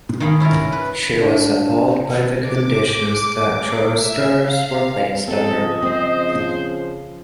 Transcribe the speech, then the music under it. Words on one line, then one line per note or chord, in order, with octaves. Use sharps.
She was appalled by the conditions that choristers were placed under.
D#3 G#4 F5 B5
C#4 E4 F4 A#4
B4
D4
D6
E5
F5
C#3 F3 C4 A4 D#5
C4 C5